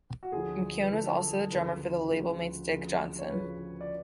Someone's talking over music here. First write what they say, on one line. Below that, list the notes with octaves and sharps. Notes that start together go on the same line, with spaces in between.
McKeown was also the drummer for labelmates Dick Johnson.
F#4
D2 D3 F3 G#4
B4
D2 D3 F3 A4
D2 C#3 F3 B4
D2 C#3 F3
D2 C#3 F3
C#5
D2 C#3 F3 B4
D5